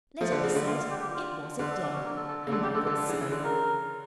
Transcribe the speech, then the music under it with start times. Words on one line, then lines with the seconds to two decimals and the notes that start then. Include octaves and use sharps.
Let it be said it was a Day, and leave it so.
0.21 F3 A3
0.32 D3
0.43 C#3
0.56 D3
0.66 D3 F4
0.78 F4
0.91 G4
1.01 G4
1.13 F4
1.59 D3 F4
1.71 A4
1.83 D4
1.93 C#4
2.05 A#3
2.16 A4
2.28 A4
2.47 C#3
2.52 D3 A4
2.63 C#3 G4
2.74 D3 A4
2.86 D3 A4
2.98 D3
3.09 C#3 E3
3.21 C#3 E3
3.32 D3
3.44 C#3 A#4